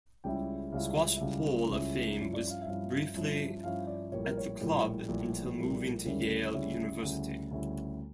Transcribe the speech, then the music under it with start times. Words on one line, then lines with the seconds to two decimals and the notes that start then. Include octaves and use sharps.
Squash Hall of Fame was briefly at the club until moving to Yale University.
0.24 C#2 C#3 G3 C#4 E4 G5
0.72 C#2 C#3 G3 C#4 E4 F5
1.16 E5
1.21 C#2 C#3 G3 C#4 E4 F5
1.69 C#2 C#3 G3 C#4 E4
2.18 G2 F3 C#4 E4
2.34 D5
2.50 F5
2.62 E5
2.66 G2 F3 C#4 E4 F5
3.14 G2 F3 C#4 E4
3.63 G2 F3 C#4 E4 F5
3.87 D5
4.11 A#1 A2 G3 A#3 C#5
4.25 A#4
4.37 C#5
4.61 A#1 A2 G3 A#3
5.08 A#1 A2 G3 A#3
5.57 A#1 A2 G3 A#3
6.05 D2 C#3 G3 C#4 E4 A#4
6.54 D2 C#3 G3 C#4 E4 C#5
7.02 D2 C#3 G3 C#4 E4
7.51 D2 C#3 G3 C#4 E4